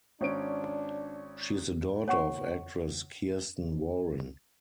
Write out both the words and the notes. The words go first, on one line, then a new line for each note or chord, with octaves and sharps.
She is the daughter of actress Kiersten Warren.
G#1 C#4 D4 D7
C#5 F#5 C#6